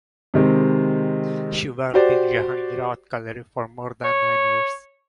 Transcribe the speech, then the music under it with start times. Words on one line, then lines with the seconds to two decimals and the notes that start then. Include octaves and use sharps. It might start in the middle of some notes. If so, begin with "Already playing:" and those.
She worked in Jahangir Art Gallery for more than nine years.
0.34 C3 D#3 G#3 C4
1.94 F#4 G4 C5 D5
4.04 C#5